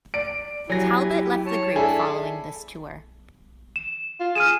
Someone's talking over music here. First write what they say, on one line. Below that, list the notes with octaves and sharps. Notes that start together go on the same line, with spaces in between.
Talbot left the group following this tour.
D5 D7
F#3 E4 G4 G#5 A#6
C#5 A5
D4 E4 G#4 A4 B5
E7
F4
G#4 F6 D#7 E7